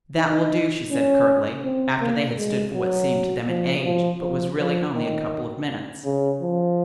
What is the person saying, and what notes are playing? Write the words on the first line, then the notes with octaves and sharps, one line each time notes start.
"That will do," she said curtly, after they had stood for what seemed to them an age, but was really only a couple of minutes.
D#4
C#4
C4
A#3
G#3
F#3
F3
F3
F3
F3
D#3
C#3
F3